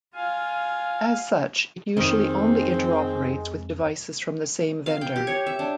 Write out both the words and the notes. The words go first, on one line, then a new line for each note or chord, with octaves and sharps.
As such it usually only interoperates with devices from the same vendor.
F4 F5 G#5
F2 D#3 G#3 C4
F5
G5
G4
C#5
E5
D4